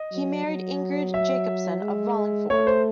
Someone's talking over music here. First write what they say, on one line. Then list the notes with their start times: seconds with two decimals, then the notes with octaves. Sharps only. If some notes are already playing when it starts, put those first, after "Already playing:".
He married Ingrid Jacobson of Wallingford.
Already playing: D#5
0.12 F#3
0.46 F#3
1.14 E5
1.82 G#3
2.50 A3 C#5
2.67 C5